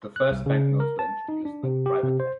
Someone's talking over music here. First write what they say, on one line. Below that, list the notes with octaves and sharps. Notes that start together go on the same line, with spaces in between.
The first banknotes were introduced by the private banks.
F#6
C2
C#3
A#4
A5
D#4
D4
C3
G4
C3
C5